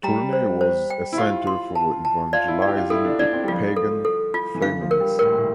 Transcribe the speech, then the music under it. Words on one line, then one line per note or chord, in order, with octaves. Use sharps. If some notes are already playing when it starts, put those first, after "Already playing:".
Tournai was a center for evangelizing the pagan Flemings.
G3 A#5
C5
C5
G5
E4
F4 G4
C6
A5
A5
F4 D5
E4
D5
G4
F4
E4 A4
D4
D4 D5
C4
G3
F3 F4
A4
A4
F4
E3
D3 F5
F3
A#4
G3
A2 A#4
A#2
A2